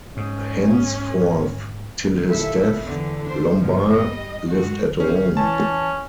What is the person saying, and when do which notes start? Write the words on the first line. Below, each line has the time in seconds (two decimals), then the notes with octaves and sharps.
Henceforth till his death, Lombard lived at Rome.
0.17 G#2 C#4
2.29 D#2 A#2 E4 A4 E5
2.83 E2 D3
3.24 D4 C5
3.56 G2 B2 F3
3.92 G3 D#5
4.46 G2 G#3 F#4
5.00 C#4 C5
5.37 E3 C#4 A5